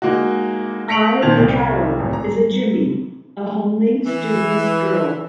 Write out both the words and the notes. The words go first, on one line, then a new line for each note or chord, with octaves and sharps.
Ai Maekawa is a "jimi", a homely, studious girl.
G#3 A#3 D#4 F#4
A#6 B6 C#7 D7 F7 F#7
A#2 D#3 C5 A5 G#6 F7
C2
D1 G#1
A#5
E3